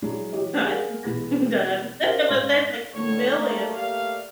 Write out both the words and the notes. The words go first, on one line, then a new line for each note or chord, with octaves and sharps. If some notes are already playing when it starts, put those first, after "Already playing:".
"I think I'm done," but there's, like, a million.
F#3 G#3 D4 E4 G#4
E3 F#4 G4 C#5 D#5
G#4 A#4 F5 F#5 G#5
B1 B2 E3 G#3 B3
C#4 D#4 G4 A#4 C5 F5
G#2 C#4 F5 C6
A2 D3 F3 C#5
A3 A#3
A3 A#3 G4 D5 E5 F5